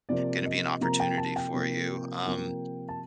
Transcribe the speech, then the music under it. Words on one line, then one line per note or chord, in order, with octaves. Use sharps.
gonna be an opportunity for you. Um,
C3 F3 A#3 D5
D#5
C3 F3 A#3 A#5
G5
A5
G5
C3 F3 A#3
C3 F3 A#3
A5